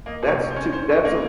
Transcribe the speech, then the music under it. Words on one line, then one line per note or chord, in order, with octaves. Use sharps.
that's to that's a
A#3 D#5
C3
C#5
C3
C5
C#4
C#4 C5
C#4
C#5
A#3